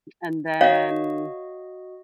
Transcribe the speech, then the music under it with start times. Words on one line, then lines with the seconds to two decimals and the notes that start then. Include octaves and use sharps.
and then,
0.61 F#4 C#5 D#5 F5